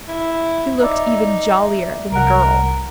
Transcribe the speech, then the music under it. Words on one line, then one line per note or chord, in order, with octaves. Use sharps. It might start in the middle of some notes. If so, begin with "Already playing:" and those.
He looked even jollier than the girl.
E4
D#4 D5 E5
C2 A#4 F#5